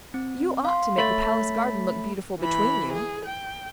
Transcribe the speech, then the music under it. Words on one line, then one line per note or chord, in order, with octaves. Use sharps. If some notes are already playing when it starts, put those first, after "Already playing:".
"You ought to make the Palace garden look beautiful between you."
C4
F5 C6
A3 C#5 B5 A6 B6
E3 B5
G#4
G5